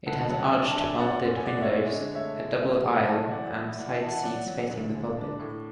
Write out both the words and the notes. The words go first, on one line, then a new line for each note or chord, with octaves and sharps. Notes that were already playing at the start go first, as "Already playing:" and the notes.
It has arched moulded windows, a double aisle and side seats facing the pulpit.
D2 F#5 A5
F#3 F#5 A5
D4 G#5
A5
D4 E5 G#5
C#4 D5 F#5
F#2
G#5
G#3 D5 F#5
C#5 E5
G#3
C#5
D3
A3 C#5 E5
G#3
C#3 E5 G#5
A3 E5 G#5
A5
F#3 E5 G#5
E3 D5 F#5
E4
E3 D5 F#5
E5 G#5
E3 F#5 A5
F#5 A5
F#3 D5 F#5
F#3
D2
G#3
D4
A2